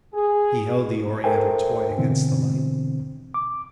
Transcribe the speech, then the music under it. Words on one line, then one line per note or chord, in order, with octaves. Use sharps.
He held the oriental toy against the light.
G#4
A4 A#4 C5 E5 G5 G#5
B2 D3 E3 C4
D6